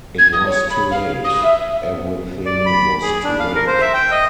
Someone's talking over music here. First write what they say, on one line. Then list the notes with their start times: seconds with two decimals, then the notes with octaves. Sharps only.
It was too late — everything was too late.
0.18 G#6
0.33 D#6
0.46 C#5
0.70 B5
0.91 F5
1.24 D#6
1.43 E5
2.46 D5
2.66 B5
3.02 G#4
3.24 D4
3.40 F5
3.55 A#4
3.67 C5
3.81 E5
3.94 G5
4.11 D#5